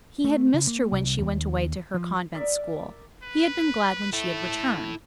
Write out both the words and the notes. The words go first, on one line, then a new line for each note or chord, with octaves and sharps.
He had missed her when she went away to her convent-school; he had been glad when she had returned.
A3
C#3
A#3
C2
D#2
F3
A#4 D5 E5
B4
A3 E4 A4